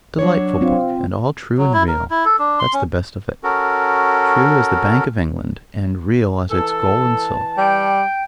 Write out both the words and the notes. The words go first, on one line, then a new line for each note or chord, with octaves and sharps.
It's a delightful book, and all true and real--that's the best of it--true as the Bank of England, and real as its gold and silver.
F#3 D4 C#5
C4 F4
F#3
E4
A#4
E4
A4
D4
C6
C#4
C#4 F#4 A4 A#4
E3 A4 A5
G3 G5